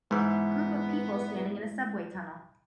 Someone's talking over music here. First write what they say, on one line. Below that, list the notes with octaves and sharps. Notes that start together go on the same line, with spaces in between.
Group of people standing in a subway tunnel.
G#2 E3 G#3 B3 E4 E5